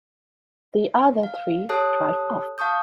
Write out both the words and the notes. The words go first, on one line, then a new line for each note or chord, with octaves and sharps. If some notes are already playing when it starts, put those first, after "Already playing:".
The other three drive off.
F5
G4 A4 C#5 A5 D#6 F#6
F5 A5 C#6 D#6 G6